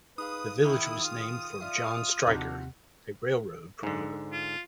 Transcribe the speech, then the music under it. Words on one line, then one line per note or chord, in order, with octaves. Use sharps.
The village was named for John Stryker, a railroad promoter.
D#4 G#4 B4 F5 D#6
D#3 E4
F4
F4 D5 E5 F5
D#2 C3 F3 D4 D#4 F#4 F#5
G#2 D3
F4